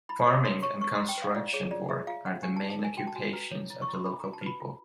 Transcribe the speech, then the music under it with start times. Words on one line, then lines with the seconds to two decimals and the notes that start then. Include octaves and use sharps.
Farming and construction work are the main occupations of the local people.
0.09 E4 B5
0.27 C#5
0.45 C#5 C6
0.62 C#5 C#6
0.81 B4 C#6
0.95 C6
1.00 E4
1.09 G5
1.18 B4 F5
1.35 F4 D5
1.53 G#4 C#5
1.71 F4 D5
1.89 G#4 E5
2.07 F4 F5
2.25 C#4 F#5
2.43 G4 G#5
2.57 A5
2.61 D#4
2.70 A5
2.79 A#4
2.84 G#5
2.97 F#4 G5
3.07 A5
3.15 F#4 G#5
3.33 B4 A#5
3.51 C#5
3.70 E4
3.82 C#6
3.88 E4
3.93 C6
4.05 D4 B5
4.19 A#5
4.24 F#4
4.33 A5
4.41 B4
4.46 B5
4.60 F4